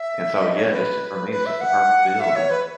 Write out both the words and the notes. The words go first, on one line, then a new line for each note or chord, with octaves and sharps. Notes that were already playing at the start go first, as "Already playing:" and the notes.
and so, yeah, it's just for me, it's just the perfect build. And,
Already playing: E5
D#5
C#5
B4
B4
E5
F#5
E5
C#5
B4